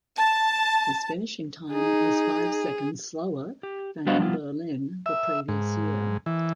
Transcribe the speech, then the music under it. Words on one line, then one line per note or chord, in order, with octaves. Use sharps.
His finishing time was five seconds slower than in Berlin the previous year.
A5
D#4 G#4
G4
G3 B3 F#4 C5 D#5 F5
F3 G3 B3 E4 F4
E5
G#2
E3